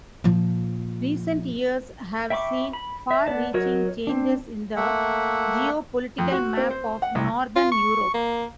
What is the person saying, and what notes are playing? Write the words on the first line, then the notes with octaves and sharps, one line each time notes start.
Recent years have seen far-reaching changes in the geopolitical map of northern Europe.
A#2 F3
E5 G5 B5 C#6 D6
B5
E5
B3 D5 A5
F#3 F#4 A#4 C#5 D#5
C4 D4
A3 A#3 E5 F#5
F2
F#4
C4
C5
F#5
C2
F4
C#6
A#3